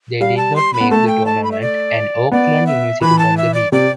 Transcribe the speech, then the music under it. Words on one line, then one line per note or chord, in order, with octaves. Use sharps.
They did not make the tournament, and Oakland University won the bid.
G3 F5
A5
C6
B5
B3
A3 A5
G5
A5
B5
E5
D5
B3 D5
E5
E3 B5
A5
E5
D5
C3 D5